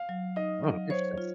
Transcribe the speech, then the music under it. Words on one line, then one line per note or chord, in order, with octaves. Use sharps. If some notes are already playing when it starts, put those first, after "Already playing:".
Oh, interesting.
Already playing: F5
F#3
D#4 D#5
F#3
C5 C#5
F4